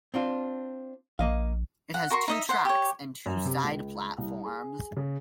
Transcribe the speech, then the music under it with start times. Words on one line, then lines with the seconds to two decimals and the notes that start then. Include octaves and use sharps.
It has two tracks and two side platforms.
0.14 C4 D4 F4
1.19 A#1 A#3 D#5 F5
1.94 F#5
2.10 F#4 A#4 C6 C#6
2.28 D#4 D#5 E5
2.49 C5 F#5
2.65 G4 C#5
3.26 F#2
3.45 C3
3.63 C#2
4.18 C2
4.45 G#4
4.97 C#3